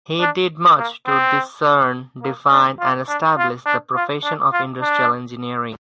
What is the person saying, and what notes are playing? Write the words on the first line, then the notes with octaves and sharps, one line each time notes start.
He did much to discern, define, and establish the profession of industrial engineering.
D4
A#3
C4
A#3
D4
F4
D4
F4
D4
F4
D4
F4
D4